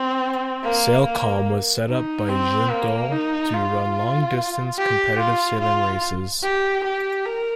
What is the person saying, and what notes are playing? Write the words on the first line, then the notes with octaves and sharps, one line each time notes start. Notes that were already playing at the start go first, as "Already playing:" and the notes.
SailCom was set up by Jeantot to run long distance competitive sailing races.
Already playing: C4
A#3
A#3
D#4
C4
A#3
D#4
F4
G4
F4
F4
G4
G4
A#4